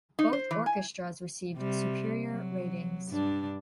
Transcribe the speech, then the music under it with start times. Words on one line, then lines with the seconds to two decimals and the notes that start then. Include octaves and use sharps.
Both orchestras received superior ratings.
0.19 D#4
0.33 C5
0.51 E3
0.66 G#5
1.57 C3 G3
2.27 F#3
3.09 G2 D4